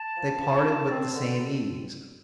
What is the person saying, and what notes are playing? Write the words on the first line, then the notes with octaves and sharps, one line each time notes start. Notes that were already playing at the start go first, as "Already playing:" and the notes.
They parted with the same ease.
Already playing: A5
F3
F3
F3
C4
D3